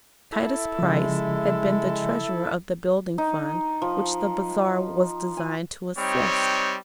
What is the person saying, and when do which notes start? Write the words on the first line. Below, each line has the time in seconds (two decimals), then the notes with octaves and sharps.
Titus Price had been the treasurer of the building fund which the bazaar was designed to assist.
0.32 E4 A4 E5
0.79 C#3 F3 G#3
3.18 D#4
3.82 F3
5.37 G#5
5.97 G3 C4 D#4 C#5